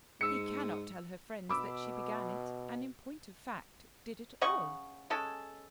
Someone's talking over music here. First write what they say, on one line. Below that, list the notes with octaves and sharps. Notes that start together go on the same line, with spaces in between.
He cannot tell her friends that she began it, and in point of fact did it all.
G#2 E6 C#7
B2 B5 D6 E6
C#3 D#5 F#5 C#6
G#3 C#4 A4